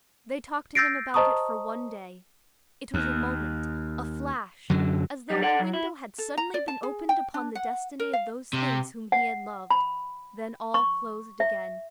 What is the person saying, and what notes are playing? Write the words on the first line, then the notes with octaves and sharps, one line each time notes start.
They talked to him about it for one day; it was a moment, a flash, as though a window had suddenly been opened upon the destiny of those things whom he had loved; then all closed again.
E6 G6 A6 A#6 C7 D7
C5 D#5 A5 A#5 C#6 D#6
D#2
F#2 D3 F#3
F#2 G3
A4 D5 F#5
F#3
E4
A4
A#5
D5
A5
G#4
G5
D4
F#5
A#4
F5
C3
F#5
B5
C#6
E5